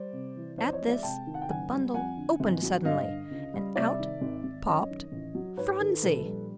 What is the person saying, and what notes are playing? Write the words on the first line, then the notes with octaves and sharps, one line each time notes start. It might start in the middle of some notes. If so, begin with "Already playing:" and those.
At this, the bundle opened suddenly, and--out popped Phronsie!
Already playing: G3 C5 D5
C3
E3
F2 C5 D5
C#5 D#5
G#3
D5 E5
C3 G5 A5
D#3
F#5
G5
F#1 F#5 G#5
G3
F2 F#5 G#5
D3
G#1
F#3
G2 D#5 F5
D3
C#2
G3
C3 D5 E5
D#3
G#1
G#1
F#2 C#5 D#5
D#3
A1
F#3
G#2 B4 C#5
D#3 A4 B4
A#1 A4 B4
G3